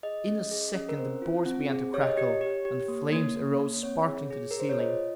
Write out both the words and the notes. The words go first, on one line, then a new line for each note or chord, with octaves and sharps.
In a second the boards began to crackle, and the flames arose sparkling to the ceiling.
G#4 D#5
C#4
G#4
C#4
A#4
C4 C5
F4
C4
G#4
G4 C#5
D#5
C#5
G4
G4
G4
A#3
A#3
A#3
A#3
C4 C#5
G#4
G#4
G#4 A#4
C5
C#5
F4 D#5